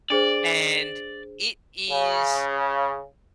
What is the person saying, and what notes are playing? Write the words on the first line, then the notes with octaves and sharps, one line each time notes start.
and it is
D4 G#4 C5 D5
C#3